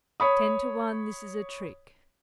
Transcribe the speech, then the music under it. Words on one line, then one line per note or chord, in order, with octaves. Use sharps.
"Ten to one this is a trick."
C#5 B5 D#6